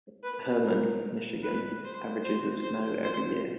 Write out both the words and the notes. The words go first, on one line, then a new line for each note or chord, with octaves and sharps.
Herman, Michigan, averages of snow every year.
B4
A#4
B4
C5
C5
C5
C5